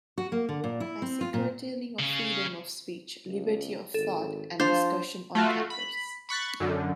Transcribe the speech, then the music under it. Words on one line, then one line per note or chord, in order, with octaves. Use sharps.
I see curtailing of freedom of speech, liberty of thought and discussion on campus.
F#4
A#3
D3
A#2
E4
C4
F4
A#2
C#3
C#2
G#1 A4
F3 D4 C5 F5
A3 F4 F#4
B5
B5 C#6 F#6 A6
F#2 D3